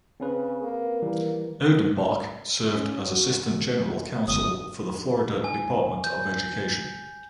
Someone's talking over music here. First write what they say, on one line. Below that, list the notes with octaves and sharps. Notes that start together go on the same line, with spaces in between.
Odenbach served as assistant general counsel for the Florida Department of Education.
C#3 C4 C#4 B4
A#3
E3 G3 A#3
C#4
F#4
G1 B2 D#6
G#5
G6